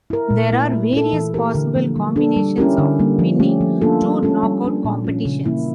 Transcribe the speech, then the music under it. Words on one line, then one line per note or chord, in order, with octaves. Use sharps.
There are various possible combinations of winning two knock-out competitions.
E4 A#4
A#2
A3 E4
A3
E4 A4
E3
A3 E4 G4 A#4
D3
F3 A#3
G3
D4 A4
G3
C#4 E4 G4 A#4
D3
G3 A#3
F3
A3 C#4 G4
F3
A#3 D4 F4 A4
G3
C#4 F4 A4
G3
A#3 D4
A#2
F3 C#4 F4
C#3
E3 A#3 E4